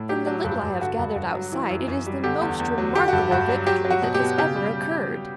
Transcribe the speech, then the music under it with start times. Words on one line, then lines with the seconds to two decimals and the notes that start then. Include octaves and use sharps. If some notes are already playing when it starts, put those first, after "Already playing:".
From the little I have gathered outside, it is the most remarkable victory that has ever occurred.
Already playing: A2
0.09 F#3 G4
0.27 F#3
0.45 G2
0.63 G2
0.80 D3 F#4
0.99 G2
1.16 G2
1.34 F#3
1.52 E3
1.70 F#2
1.88 F#2
2.06 G3
2.24 D3 G4
2.41 E2
2.60 E2
2.78 F#3
2.95 D3 G4
3.08 G2 F#4
3.31 G2 F#4
3.49 F#3
3.67 F#3 G4
3.85 F#3
3.90 F#4
4.02 B2
4.14 G4
4.20 B2
4.38 C#3 G4
4.56 G3